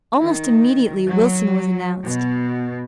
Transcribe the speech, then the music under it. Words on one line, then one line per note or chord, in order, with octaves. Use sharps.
Almost immediately Wilson was announced.
D#3
F#3
B2